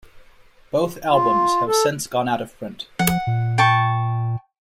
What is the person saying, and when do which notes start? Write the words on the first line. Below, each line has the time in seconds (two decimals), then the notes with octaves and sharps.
Both albums have since gone out of print.
1.11 F4
1.67 A4
2.99 F3 F#5
3.27 A#2
3.58 G5 A5 C#6